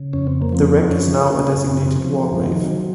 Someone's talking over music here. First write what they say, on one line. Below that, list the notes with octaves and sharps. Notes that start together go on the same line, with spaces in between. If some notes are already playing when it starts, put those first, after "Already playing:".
The wreck is now a designated war grave.
Already playing: C#3
F2 C#4
C4
A#3
F3 C4
F#2 C#4
C#3
F#2 C4
F3
D#3 F#3
F3
F#3